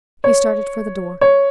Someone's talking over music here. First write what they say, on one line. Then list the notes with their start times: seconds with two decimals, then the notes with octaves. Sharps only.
He started for the door.
0.24 C#5
1.21 C#5